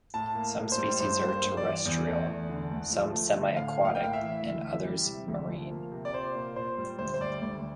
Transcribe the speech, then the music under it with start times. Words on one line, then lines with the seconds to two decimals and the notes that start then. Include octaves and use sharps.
Some species are terrestrial, some semi-aquatic, and others marine.
0.14 A2 A5
0.35 A#3
0.57 A2
0.72 C5
0.78 G3
1.00 G2 C5
1.22 A#3
1.28 C5
1.43 G2
1.57 D5
1.65 E3
1.86 E2
2.07 A3
2.28 E2
2.50 D3
2.71 D2
2.92 F3
3.14 A3
3.36 D3
3.56 A2 F5
3.78 A#3
3.85 F5
3.95 G5
4.00 A2 F5
4.13 E5
4.22 E3
4.43 D2
4.64 E3
4.85 G3
5.06 C3
5.28 D2
5.49 F3
5.71 A#3
5.92 C3
6.05 D5
6.13 A#2 C5
6.35 A#3
6.56 A#2 C5
6.78 G3
6.99 D2 C5
7.14 C5
7.20 G3 D5
7.42 D2